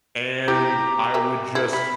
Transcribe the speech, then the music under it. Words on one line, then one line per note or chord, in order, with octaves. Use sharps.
and I would just
E4 F4 G4 A#5
G#3 A#4 E5
A3 E4
G3 B5